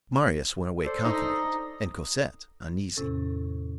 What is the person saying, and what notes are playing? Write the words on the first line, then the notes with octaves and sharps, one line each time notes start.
Marius went away confident, and Cosette uneasy.
A4 C5 D5
D#4
E2 A2 C3 C#4 A4